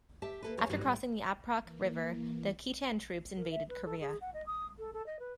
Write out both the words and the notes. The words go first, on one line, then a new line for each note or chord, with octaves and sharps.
After crossing the Aprok River, the Khitan troops invaded Korea.
G4 E5 A5
A#3 A4 B4
E2 F3 G3 G#4 C#5
G2 D#3 F#3 G3 B3 C#4
A2 G3
E3 A#3
A#4
E5
B4
A4
G#4
F#5
D#5
D#6
A4
A4
D#5
B4